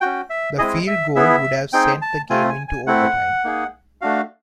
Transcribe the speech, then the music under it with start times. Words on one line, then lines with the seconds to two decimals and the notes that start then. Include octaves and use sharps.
The field goal would have sent the game into overtime.
0.01 C#4 F#4 G5
0.30 E5
0.58 G#3 C4 E4 G#4 D#5
0.87 E5
1.15 B3 E4 G#4 E5
1.73 C4 D#4 G#4 G5
2.02 A5
2.30 A3 C4 F4 G#5
2.50 G#5
2.68 G#5
2.87 A3 C4 E4 F#5
3.45 A#3 D#4 G#4
4.01 A3 D4 F#4 F5